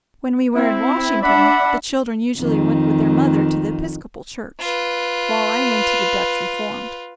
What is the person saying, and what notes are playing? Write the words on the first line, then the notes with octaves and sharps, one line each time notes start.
When we were in Washington, the children usually went with their mother to the Episcopal church, while I went to the Dutch Reformed.
C4 E4
D4 D5 E5 F#5 B5
F2 D#3
F4 B4